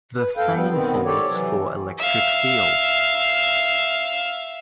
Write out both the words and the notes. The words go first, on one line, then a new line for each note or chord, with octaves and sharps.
The same holds for electric fields.
B4
F#2 A4 F5 G5
G2 G3 B3
B2 D#3 B3 C4
G4 A4 C#5 D5
C3 E3 F#3
E5 F5